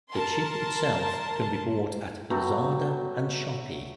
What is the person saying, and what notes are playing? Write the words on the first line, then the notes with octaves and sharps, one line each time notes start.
The chip itself can be bought at Lazada and Shopee.
A#4 A5 C6
F#3 G3 A3 B3 F#4 A#5